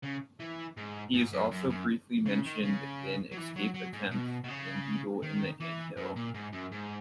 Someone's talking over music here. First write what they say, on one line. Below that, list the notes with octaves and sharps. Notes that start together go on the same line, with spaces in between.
He is also briefly mentioned in "Escape Attempt" and "Beetle in the Anthill".
C#3
E3
G#2
G#2
F#2
F#2
F#2
C#3
D#3
C#3
F#3
E3
F#3
F#3
G#2
B2
B2
C#3
D#3
E3
F#2
A#2
G#2
F#2
G#2